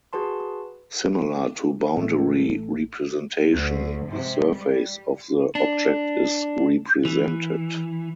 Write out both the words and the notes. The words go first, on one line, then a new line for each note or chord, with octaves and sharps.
Similar to boundary representation, the surface of the object is represented.
F#4 G#4 B4 A5 C6
A1 A3
D2
G#2 C3
G3
D4
E3